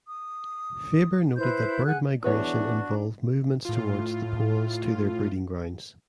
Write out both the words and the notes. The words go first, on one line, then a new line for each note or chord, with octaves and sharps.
Faber noted that bird migration involved movements towards the poles to their breeding grounds.
D#6
E4 B4 C5 G6
G#4 F#5 G#5 F#6
E2 D4 F#4 B4 C#5
A2 F4